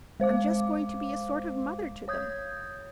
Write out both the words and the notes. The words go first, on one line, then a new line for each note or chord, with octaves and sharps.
I'm just going to be a sort of mother to them.
G#3 C5 F5 D6
C#5 D#6 G6 G#6